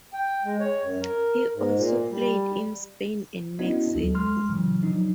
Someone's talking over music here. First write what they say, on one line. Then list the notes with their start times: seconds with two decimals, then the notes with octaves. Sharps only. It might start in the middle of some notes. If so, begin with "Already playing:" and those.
He also played in Spain and Mexico.
0.13 G5
0.44 G#3
0.60 C#5
0.82 F#2
1.01 A#4
1.54 G#2
1.76 A#2
2.10 G3
3.59 B3 C#4 D4 E4 F#4 D#5
3.95 D2 F#3 A4
4.14 G#3 C6 F6
4.49 A#2 C#3 E3 F#3
4.83 F3 F#3 D4 D#4